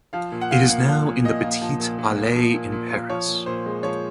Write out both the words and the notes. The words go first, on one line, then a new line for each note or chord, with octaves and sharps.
It is now in the Petit Palais in Paris.
F3 F5
A#2
F#5
A#2 F5
A#3
F3 F5
A#2
A#2 D#5
A#3
F3
A#2
A#2
A#3
F3
A#2
A#2
A#3
F3 C#5
A#2
A#2 C5
G#3
F3 C#5